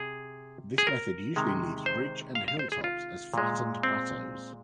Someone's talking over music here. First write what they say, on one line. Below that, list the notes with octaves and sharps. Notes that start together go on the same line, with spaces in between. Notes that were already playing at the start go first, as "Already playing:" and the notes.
This method usually leaves ridge and hill tops as flattened plateaus.
Already playing: C3 G#4
G#4
A#4
C3 D#3 G#3
C5
F5
F5
C5
G#4
F4
A#2 G#3
C4